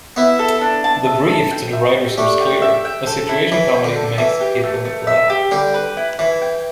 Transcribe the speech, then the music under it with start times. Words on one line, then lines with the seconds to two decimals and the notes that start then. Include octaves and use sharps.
The brief to the writers was clear - a situation comedy makes people laugh...
0.16 B3 E4 E5
0.39 A4
0.61 D4
0.84 A5
1.07 E5
1.28 A4
1.51 G5
1.73 E5
1.95 G4
2.17 A3 D4 G4
2.41 G5
2.62 E5
2.85 G5
3.06 A4
3.29 E4
3.52 E3 E4
3.74 G5
3.84 D3
3.96 A4
4.18 E3 E5
4.41 G4
4.63 A3
4.85 A3
5.07 E5
5.30 G4
5.51 D3 G3 G5
5.74 B4
5.97 E4
6.19 E3 E4
6.41 G5